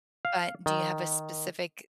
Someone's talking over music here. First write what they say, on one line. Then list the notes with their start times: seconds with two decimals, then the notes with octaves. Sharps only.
but do you have a specific
0.25 F5
0.66 D#3